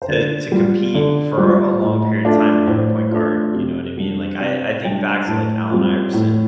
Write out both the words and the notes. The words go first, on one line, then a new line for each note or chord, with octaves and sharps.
to to compete for a long period of time when you're a point guard, you know what I mean? Like, I I think back to, like, Allen Iverson,
C5
D3 D5
G3 F4
D3 D5
G3 F4
A2
A3 D4 F4
A2 C5
A3 D4 F4
C3
G3 D4
C3 D5
G3 D4 G5
A2 A5
G3 C4 F4
A2